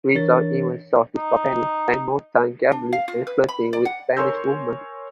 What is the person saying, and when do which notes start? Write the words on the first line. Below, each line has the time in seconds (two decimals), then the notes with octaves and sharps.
Rizal even saw his companions spend more time gambling and flirting with Spanish women.
0.15 E3 D4 A#4 C#5 A6
1.16 D#4
2.72 D4
2.93 F5
3.08 F4
3.27 B4
3.49 B5
3.73 D5
3.85 F#5
4.16 A#4 C#5 G#5 C6 E6 G6